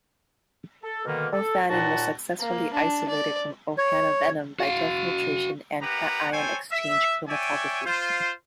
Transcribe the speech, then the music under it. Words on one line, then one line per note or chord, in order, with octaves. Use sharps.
Ophanin was successfully isolated from "O. Hannah" venom by gel filtration and cation-exchange chromatography.
A4
B2 D3 D#3 G3 A#3
A4
D#2 A#2 D#4 F#4 F#5 A5
A#3
D4
D5
C#5
F#4 F5
A#3 D#4 G4 B4 F#5 A#5
A4 C5 C#5 G5 G#5
E5
C#5 D5 E5 G5 G#5
F4 C5